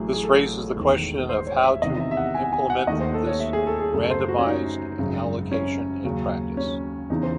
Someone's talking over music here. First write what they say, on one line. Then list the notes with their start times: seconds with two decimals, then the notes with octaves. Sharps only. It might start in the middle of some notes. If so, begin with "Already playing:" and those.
This raises the question of how to implement this randomized allocation in practice?
Already playing: A1 A2 F#3 G#4
0.14 G#4
0.23 A4
0.76 E1 E2 D#3
1.29 C5
1.47 C#5
1.64 E5
1.82 E2 C3 D#3 D#5
2.00 E5
2.11 E5
2.17 F#5
2.35 G#5
2.53 G#5
2.70 F#5
2.87 D#2 D#3 A3 D#5
3.01 C5
3.14 A4
3.27 C#5
3.40 E5
3.53 G#4
3.67 A4
3.80 G#4
3.93 F#2 C#3 F#3 A3 A4
4.10 C5
4.28 F#4
4.38 C#4
4.46 D#4
4.99 G#1 F#2 C#3
5.51 C#4
6.04 D#2 C#3 F#3
6.57 C#4
7.10 E2 C#3 E3 D#4
7.23 C5